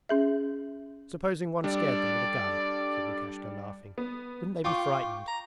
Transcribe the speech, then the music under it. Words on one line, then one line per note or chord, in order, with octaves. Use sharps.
'Supposing one scared them with a gun?' said Lukashka, laughing, 'Wouldn't they be frightened?'
C#4 G#4 E5
G3 D4 A4 D5
B3
F4 G5 C#6 D6
A#5